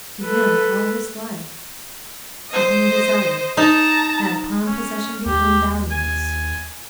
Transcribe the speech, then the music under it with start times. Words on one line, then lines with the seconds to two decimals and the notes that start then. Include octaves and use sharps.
To him, all his life, a thing desired had upon possession become valueless.
0.23 A4 B4
2.50 C5 D#5
3.57 D#4 A5 A#5
4.66 C#4
5.26 D#2 G4
5.91 G#5